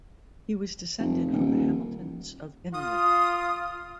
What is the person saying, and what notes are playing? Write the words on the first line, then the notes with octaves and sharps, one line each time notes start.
He was descended from the Hamiltons of Innerwick.
F1
D#1
D#1
F4 D#6